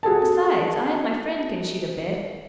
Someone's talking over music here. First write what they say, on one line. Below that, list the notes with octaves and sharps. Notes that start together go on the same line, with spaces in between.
Besides, I and my friend can shoot a bit.'
F#4 G#4 A4 A5